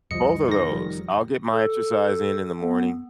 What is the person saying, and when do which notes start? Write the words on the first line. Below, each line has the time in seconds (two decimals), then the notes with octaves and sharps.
both of those I'll get my exercise in in the morning,
0.11 C2 F2 F3 D#5 C#7
0.48 D#3 A#6
0.71 F1 F3 G3
1.51 A4
2.61 B3